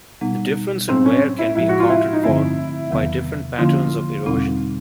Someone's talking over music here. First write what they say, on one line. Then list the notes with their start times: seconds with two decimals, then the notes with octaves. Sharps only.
The difference in wear can be accounted for by different patterns of erosion.
0.21 B2 G3 B3 D#4
0.88 A2 F#3 B3 C4 D4
1.06 C#4
1.39 E4
1.55 A2 F3 G#3 E4
1.69 F#4
1.80 F4
1.89 E4
2.13 D#4
2.23 G2 D3 F3 A3 C4 E4
2.91 E2 C3 D#3 F#3 B3
3.58 D3 F3 A#3 C#4 E4 F4
4.26 E2 B2 G3 C4 D#4